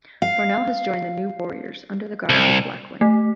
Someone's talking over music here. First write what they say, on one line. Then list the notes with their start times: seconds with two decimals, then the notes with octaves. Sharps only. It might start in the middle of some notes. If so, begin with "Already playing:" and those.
Barnell has joined the New Warriors under the guise of Blackwing.
0.22 F5
2.29 C2
3.01 A3